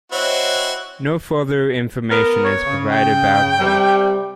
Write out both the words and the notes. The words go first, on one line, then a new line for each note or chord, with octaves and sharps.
No further information is provided about her.
C4 E4 F#4 C5 C#5 D#5
B3 A#4
C#5
C#3
G5
C3 G3